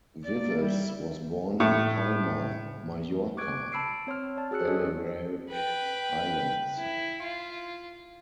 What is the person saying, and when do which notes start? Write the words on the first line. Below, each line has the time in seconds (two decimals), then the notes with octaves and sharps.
Vives was born in Palma, Majorca, Balearic Islands.
0.24 A#3 D5
0.59 G3 E4
1.60 A2
3.37 C#6 D6 F#6 G#6 D7
3.72 A5 B5 E6 C7 D7
4.07 C4 C#5 C6 F6
4.37 D5 A5
4.51 F#4 G#4 E6 F#6 C#7
4.68 C#4 F#4 A4 C#5 D#5
5.50 B4 G5
6.77 E4
7.23 F4